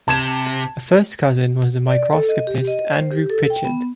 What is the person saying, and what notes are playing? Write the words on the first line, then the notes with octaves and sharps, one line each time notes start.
A first cousin was the microscopist Andrew Pritchard.
C3 A5 G#6 E7
D5
A4
D#5
G4
D#5
C5
G4
A4
G5
B3